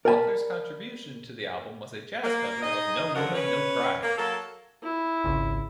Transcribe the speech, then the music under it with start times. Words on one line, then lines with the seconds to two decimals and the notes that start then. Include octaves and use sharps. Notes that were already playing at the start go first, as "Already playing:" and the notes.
Butler's contribution to the album was a jazz cover of No Woman No Cry.
0.05 A#4 D5 F5 G#5 A5 B5
2.23 A#3
2.62 D#4 G#4 D#5
3.14 F#2 D3 F3 F#4 A#4
3.34 C#4 B4
4.03 A#3
4.18 F#3 A#3 A4
4.83 E4
5.24 G#1 C#2